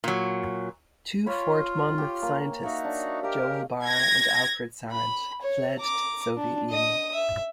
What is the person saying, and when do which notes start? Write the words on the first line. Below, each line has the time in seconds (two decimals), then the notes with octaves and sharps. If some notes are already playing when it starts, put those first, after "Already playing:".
Two Fort Monmouth scientists, Joel Barr and Alfred Sarant, fled to the Soviet Union.
0.04 A#2 F#3
1.26 F4 C#5 G5 B5
1.98 G4
2.22 A#3 G#5
2.63 A#3 D#4 F#4 E5
2.84 D4
3.23 G4 A#4 D#5 F5
3.85 G#6 A#6
4.91 B5
5.42 C#5
5.79 A#5 D6
6.37 D4
6.70 D#5 D#6
7.14 E5